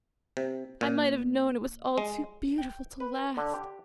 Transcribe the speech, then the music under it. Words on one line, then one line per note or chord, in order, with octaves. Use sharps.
I might have known it was all too beautiful to last.
C3
A#2
G#3
G5
B4
D3
G4